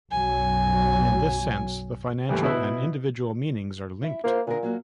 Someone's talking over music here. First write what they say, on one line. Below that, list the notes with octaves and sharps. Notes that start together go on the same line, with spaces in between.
In this sense the financial and individual meanings are linked.
B1 F#2 F#3 G#5
D#2 A2 E3 G3
B2 E4 B4 E6
E4 E5
A#3 E4 F4 C5
A#2 D3 G#4 A#4
F#3 A#3 F#4